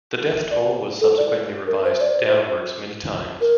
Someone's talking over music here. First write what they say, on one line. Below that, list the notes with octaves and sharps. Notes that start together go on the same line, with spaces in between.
The death toll was subsequently revised downwards many times.
D5
A4
D5
A#4
C5
C5
D5
C5
A#4